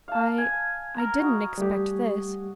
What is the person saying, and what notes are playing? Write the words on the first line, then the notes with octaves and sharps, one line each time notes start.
I--I--didn't expect this.
F5 A5
G#5
A#5 F6
F#4 D#5
G3 A3 G4